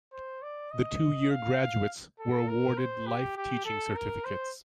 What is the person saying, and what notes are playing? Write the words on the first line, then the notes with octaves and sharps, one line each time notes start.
The two-year graduates were awarded life teaching certificates.
C5
D5
D#5
F5
F5
A4
A#4
C5
G4
G4
A4
A#4
C5